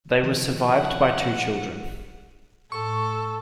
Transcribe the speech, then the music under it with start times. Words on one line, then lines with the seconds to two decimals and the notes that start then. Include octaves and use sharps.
They were survived by two children.
0.23 D#3 F3
0.67 F#5
2.72 A2 A4 C#6